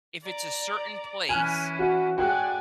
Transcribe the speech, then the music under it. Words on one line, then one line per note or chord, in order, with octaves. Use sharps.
if it's a certain place
D5 A#5 D6
E3 C#4 E4 G#5 F6 F#6
F#4
A2 F#4 G#4 D5 G5 G#5 F#6